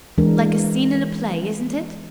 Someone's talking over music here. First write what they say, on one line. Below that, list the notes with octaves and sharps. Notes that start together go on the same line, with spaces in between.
"Like a scene in a play, isn't it?"
E3 G#3 D4 A#4